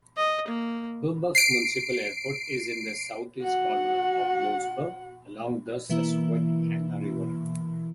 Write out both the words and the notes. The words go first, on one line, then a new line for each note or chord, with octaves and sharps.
Bloomsburg Municipal Airport is in the southeast corner of Bloomsburg, along the Susquehanna River.
D#5
A#3
C7 D7
F#4 F#5
B2 E3 A#3 E4